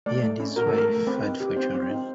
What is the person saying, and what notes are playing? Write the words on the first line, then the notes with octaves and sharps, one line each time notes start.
He and his wife had four children.
A3 D5
A3
C#4
F#4 A#4
A4
A3 A#4
A3
C4 B4
D#4
G4
C4 C5
C4
D#4